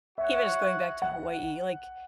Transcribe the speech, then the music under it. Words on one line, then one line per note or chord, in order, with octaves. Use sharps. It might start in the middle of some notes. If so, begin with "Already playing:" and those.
even just going back to Hawaii, like,
F#4 C#5 E5 F#5
F#5